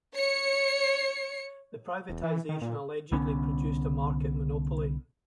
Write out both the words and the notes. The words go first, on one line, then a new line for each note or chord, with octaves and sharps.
The privatisation allegedly produced a market monopoly.
C#5 C#7
E1
E3
D#3
A#2
C2 D3 B3 C#4